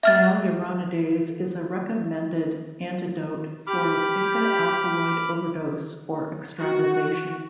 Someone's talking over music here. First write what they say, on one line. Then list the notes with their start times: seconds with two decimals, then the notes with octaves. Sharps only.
Hyaluronidase is a recommended antidote for vinca alkaloid overdose or extravasation.
0.03 E5 F6 A6
3.67 G4 B5 D6 F6
6.58 F#4